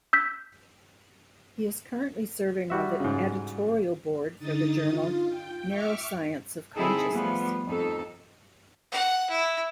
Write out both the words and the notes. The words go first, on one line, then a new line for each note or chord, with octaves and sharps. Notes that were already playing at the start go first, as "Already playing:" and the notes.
He is currently serving on the editorial board for the journal Neuroscience of Consciousness.
E6 G6 B6
G3 F#4 E5
G#2 C#3
D3 D#4 D#6 A6
F4
G5
E5 C#6 D6 F6
D3 C4 D#4 E4 G#4 A4
F3 G3 A3 B3 F4
F2 D#4 A4
F#5
E4